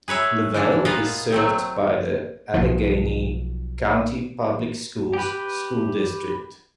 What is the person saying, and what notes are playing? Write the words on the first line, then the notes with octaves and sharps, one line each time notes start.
LaVale is served by the Allegany County Public Schools school district.
G#4 B4 C#5 E5
E3 F3 D4
A#2 B3 F4 B4 D#5 F5
F#3 A3 C4
B1 G#2 F3
G4 B4